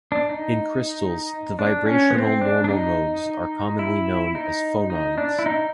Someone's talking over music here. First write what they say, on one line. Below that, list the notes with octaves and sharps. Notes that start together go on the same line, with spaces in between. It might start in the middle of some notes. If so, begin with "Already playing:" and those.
In crystals, the vibrational normal modes are commonly known as phonons.
D4
D#4
D4
C#4
B3
C4
D4
D4
D#4
E4
D#4
D#4
D4
E4
D#4